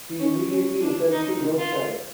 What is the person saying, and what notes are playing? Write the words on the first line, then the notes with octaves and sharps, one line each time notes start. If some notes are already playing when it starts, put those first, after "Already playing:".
He immediately returns to Yorkshire.
C#4
C#4
D4
D#4
F4